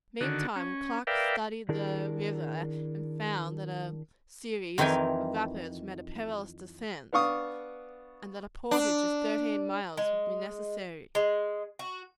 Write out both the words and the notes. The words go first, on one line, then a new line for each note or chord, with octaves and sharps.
Meantime Clark studied the river and found that a series of rapids made a perilous descent, and that a portage of thirteen miles would be necessary.
D3 D#3 F#4
C#4
A#4 B4 D5 E5 F5 G5
D#3 D4 E4 G#4 A#4
F2 D#3 E3 F5 G5 G#5
B3 D4 F5 C#6 D#6
D4
G#3
G#3
F#4